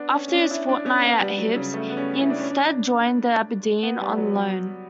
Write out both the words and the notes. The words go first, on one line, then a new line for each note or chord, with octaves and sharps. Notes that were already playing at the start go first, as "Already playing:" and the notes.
After his fortnight at Hibs, he instead joined Aberdeen on loan.
Already playing: B3 D4
C#4
C#4
D4
E4
D4
C#4
B3
G3
F#3
C#3
A3
B3
C#4
E4
D4
C#4
D4
B3
G3
F#3
F#3